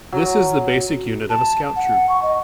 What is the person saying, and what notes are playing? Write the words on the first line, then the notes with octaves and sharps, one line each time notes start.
This is the basic unit of a Scout troop.
F#3
A5
F#5
C#6
D#5